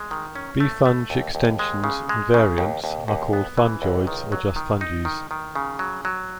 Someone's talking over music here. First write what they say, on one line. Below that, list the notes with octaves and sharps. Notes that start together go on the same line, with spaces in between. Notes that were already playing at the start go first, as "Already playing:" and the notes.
Befunge-extensions and variants are called "Fungeoids" or just "Funges".
Already playing: G#3
D#3
C#4
A3
A3
D#2
D#2
G#3
C#3
G#3
C#3
D#2
D#2
D#2
B3
E3
C#2
D#3
F#3
D#3
D#4
D#3
D#3
C#3
F#3
F#3